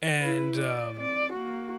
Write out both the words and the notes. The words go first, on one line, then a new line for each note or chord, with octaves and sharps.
and, um,
E4 B4
D5
C4 D5
A#3 F#4